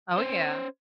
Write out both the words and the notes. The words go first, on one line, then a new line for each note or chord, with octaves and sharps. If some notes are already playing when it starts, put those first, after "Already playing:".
Oh, yeah.
C#4 C5